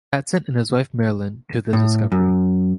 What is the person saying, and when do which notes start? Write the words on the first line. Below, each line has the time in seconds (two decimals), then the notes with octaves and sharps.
Batson and his wife Marilyn, to the discovery.
1.73 A2
2.12 F#2